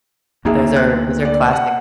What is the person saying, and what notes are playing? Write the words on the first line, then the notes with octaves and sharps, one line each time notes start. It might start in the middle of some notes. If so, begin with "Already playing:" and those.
Those are those are classics.
D2 A#3 D#4 G#4 E5
F#6
D5
F#5